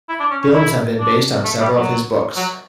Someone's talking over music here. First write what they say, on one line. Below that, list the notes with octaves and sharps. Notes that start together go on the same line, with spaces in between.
Films have been based on several of his books.
E4
D4
C#4
C#4
E4
D4
A3
G3
F#3
F#3